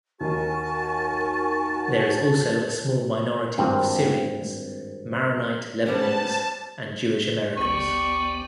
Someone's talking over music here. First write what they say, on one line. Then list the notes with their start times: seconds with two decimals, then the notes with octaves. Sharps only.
There is also a small minority of Syrians, Maronite Lebanese, and Jewish-Americans.
0.21 D#2 D#3 F#4 A#4 G#5 A5 C#6
3.58 G#1 G2 C4
5.86 G3 B3 C#4 C5 A5
7.57 G#1 D2 B3 G4 D5 C#6